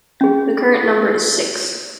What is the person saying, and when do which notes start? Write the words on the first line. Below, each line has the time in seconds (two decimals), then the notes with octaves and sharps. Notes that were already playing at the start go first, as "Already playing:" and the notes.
The current number is six.
0.21 C#4 G#4